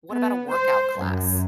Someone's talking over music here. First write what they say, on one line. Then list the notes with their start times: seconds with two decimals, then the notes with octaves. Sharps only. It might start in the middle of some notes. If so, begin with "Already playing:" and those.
what about a workout class?
0.12 B3
0.52 C5
1.02 F#2